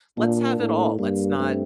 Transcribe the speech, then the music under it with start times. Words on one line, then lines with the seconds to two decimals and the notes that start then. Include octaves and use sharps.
Let's have it all. Let's not
0.17 A#2 A#3 D4
0.59 A2
0.99 G2 G3 A#3
1.40 A3 C4